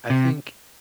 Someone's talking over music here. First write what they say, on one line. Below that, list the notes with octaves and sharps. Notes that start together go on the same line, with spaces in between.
I think
C3